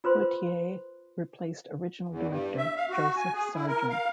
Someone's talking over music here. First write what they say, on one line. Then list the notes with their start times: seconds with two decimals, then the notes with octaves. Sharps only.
Poitier replaced original director, Joseph Sargent.
0.04 F4 B4 C5 C6
2.09 E2
2.27 G2
2.57 E5
2.77 F5
2.90 F#4
3.16 G#5
3.34 G#4
3.55 E4
3.68 A#4
3.90 F5